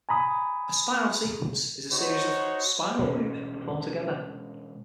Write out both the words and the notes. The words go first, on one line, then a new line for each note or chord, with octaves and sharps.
A "spiral sequence" is a series of spiral moves performed together.
G#5 A#5 B5 D#6
D#4 F#4 C5 C#5
B2 E3 G#3 C#4